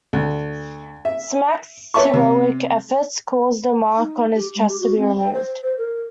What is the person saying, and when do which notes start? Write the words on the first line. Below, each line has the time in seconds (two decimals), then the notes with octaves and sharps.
Smax's heroic efforts cause the mark on his chest to be removed.
0.13 D2
1.05 E5
1.94 B4 C#5 E5 A5 C#6
2.14 C3
3.98 D#4
4.35 G4
4.55 G#3
4.68 G4
4.80 F#4
4.98 C4
5.17 G5
5.34 C5
5.63 C5
5.78 A#4